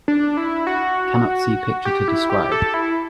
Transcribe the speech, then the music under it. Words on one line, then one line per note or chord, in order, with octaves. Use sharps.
Cannot see picture to describe.
D4
E4
F#4
G4
E4
G4
A4
E4